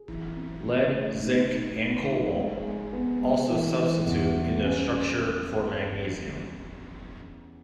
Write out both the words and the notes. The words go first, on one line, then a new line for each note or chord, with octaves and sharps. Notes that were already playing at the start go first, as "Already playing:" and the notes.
Lead, zinc, and cobalt also substitute in the structure for magnesium.
Already playing: G#4
E3
C4
C#3
A3
D#4
D#4
D#4
D#4
G#3
G#3
B3
G#3
E3
E3
E2
G3
C#4